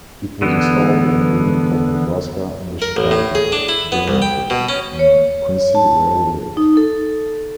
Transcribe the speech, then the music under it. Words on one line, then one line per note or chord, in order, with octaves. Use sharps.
It was installed in Lincoln, Nebraska on the Chicago, Burlington and Quincy Railroad.
D3 E3 B3
A#4
A1
A2
G#4
D4
E4
B3
C2
G5
B2
C#4
C#5
A5
D#4
A4